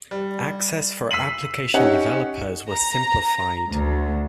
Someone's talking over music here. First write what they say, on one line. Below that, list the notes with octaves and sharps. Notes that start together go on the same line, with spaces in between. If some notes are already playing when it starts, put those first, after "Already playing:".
Access for application developers was simplified.
G3
E6 B6 C7 D#7 F#7
C#4 D#4 G4 C#5 F#5
A#5
D2